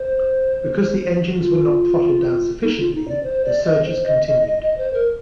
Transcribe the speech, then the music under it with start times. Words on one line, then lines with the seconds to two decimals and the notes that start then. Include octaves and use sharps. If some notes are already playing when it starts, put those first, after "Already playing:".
Because the engines were not throttled down sufficiently, the surges continued.
Already playing: C5
1.39 F4
2.63 D#4
2.78 F4
2.94 D#4
3.08 D5
3.23 C5
3.45 D5
3.65 D#5
3.85 C5
4.06 D#5
4.26 D#5
4.47 D#5
4.62 D#5
4.78 C5
4.93 A#4